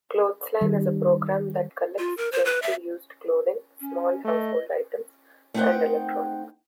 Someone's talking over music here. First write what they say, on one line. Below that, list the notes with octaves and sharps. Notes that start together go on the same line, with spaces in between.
Clothesline is a program that collects gently used clothing, small household items and electronics.
D#3 G3
F4
A#4
C5
B4
E5
C#4
A3 D#5
A3 C4 D#4 F#4 F#5 G5